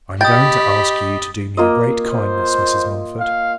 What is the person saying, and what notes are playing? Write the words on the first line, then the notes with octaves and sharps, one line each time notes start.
'I am going to ask you to do me a great kindness, Mrs. Mumford.'
G4 D#5 G5 B5 D#6 G6 A6
A#3 F4 D#5
C5
F5